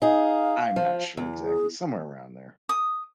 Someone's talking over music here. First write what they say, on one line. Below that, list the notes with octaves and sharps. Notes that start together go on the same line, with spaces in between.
I'm not sure exactly, somewhere around there,
D#4 G#4 F5
F3
E2
G#4
D#6